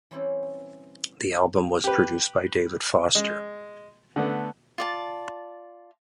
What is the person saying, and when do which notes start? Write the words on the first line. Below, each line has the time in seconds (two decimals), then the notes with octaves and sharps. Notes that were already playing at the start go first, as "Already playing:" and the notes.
The album was produced by David Foster.
0.11 E3 G3 C4 C#4 E4 C5
1.84 G4 B4
3.15 G#3
4.16 D3 A3 B3
4.78 F4 D5 A5